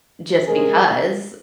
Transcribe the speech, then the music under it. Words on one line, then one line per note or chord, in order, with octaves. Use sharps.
just because.
C3 F3 G#3 C#4 G#4 A#4